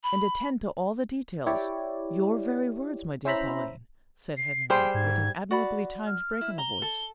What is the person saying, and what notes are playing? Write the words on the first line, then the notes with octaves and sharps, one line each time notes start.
"And attend to all the details--your very words, my dear Pauline," said Henriette, with an admirably timed break in her voice.
B5
E4 G4 C#5 D5
C#4 E4 C5 E5 A#5 B5
C7
G3 G#4 C5 G5
G#2 G#6
F#4 D5 B5
F6
E4
A#5 G7
A4